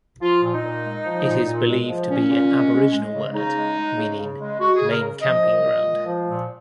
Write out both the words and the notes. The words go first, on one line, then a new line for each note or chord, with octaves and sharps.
It is believed to be an Aboriginal word meaning "main camping ground".
F3 F4
A#2
D#4
A#2
G#3
F3
A#2
A#2
G#3
F3
A#2 C#4
A#2
G#3
G#3
G#3
C#3
C#3 D#4
G#3
G#3
C#3
C#3
G#3
G#3 F#4
C#3 G#4
A#4
C#3
F3 D#5
A#2
A#2
G#3
F3
A#2